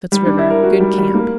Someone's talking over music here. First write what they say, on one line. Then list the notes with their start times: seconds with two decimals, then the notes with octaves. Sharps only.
Soot's River.--Good camp.
0.12 G3
0.26 D4
0.39 E4
0.50 A#4
0.63 F#4
0.80 G3
0.98 G3
1.15 A#3